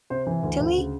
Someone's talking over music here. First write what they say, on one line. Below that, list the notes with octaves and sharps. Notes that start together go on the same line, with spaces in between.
to me
C3 C5
E3
D2
D2
C#3